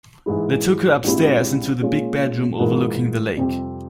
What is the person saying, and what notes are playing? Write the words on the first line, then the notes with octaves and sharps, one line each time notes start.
They took her upstairs into the big bedroom overlooking the lake.
G#2 E3 G#3 E4
A#1 G#2 G3 C4 E4
A#2 G#3 C#4 F4
G#2 E3 A#3 F4 A#4
F2 C3 G3 C4 G4